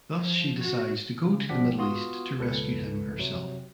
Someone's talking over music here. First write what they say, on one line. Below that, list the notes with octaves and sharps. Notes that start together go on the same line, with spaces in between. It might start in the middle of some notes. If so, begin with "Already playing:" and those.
Thus she decides to go to the Middle East to rescue him herself.
F3
F#4
C#3
G#1 F3 G3 G4 F#5 B6
B3 F4 F#4 C6 D#6
C#2 A4 B4 C#7
C3 F#3